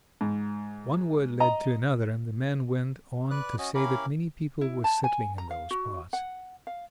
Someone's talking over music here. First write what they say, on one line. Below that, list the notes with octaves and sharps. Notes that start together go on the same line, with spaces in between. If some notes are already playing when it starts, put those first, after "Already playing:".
One word led to another, and the man went on to say that many people were settling in those parts.
G#2
D#5 A#5
B4 D5 F#6
C#4 F#4 D#5
C#4 E4 G4 A#4 F5 B5
E4
A5
G#5
A#5
F5
F#4
F#5
F5